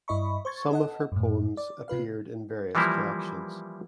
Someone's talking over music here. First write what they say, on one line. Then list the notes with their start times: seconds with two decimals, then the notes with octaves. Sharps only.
Some of her poems appeared in various collections.
0.08 G2 E4 D#5 B5 C#6
0.45 C5 C#6 G#6 A6
0.71 A4 D#5 F#5
1.12 F#2 A2
1.57 D5
1.88 C3 F4 B4 F5
2.75 E3 F3 G3 A#3 E4